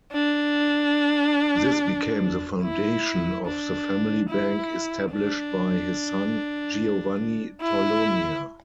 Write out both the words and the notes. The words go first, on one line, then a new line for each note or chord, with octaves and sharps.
This became the foundation of the family bank established by his son, Giovanni Torlonia.
D4
E4
D4
E4
D4
E4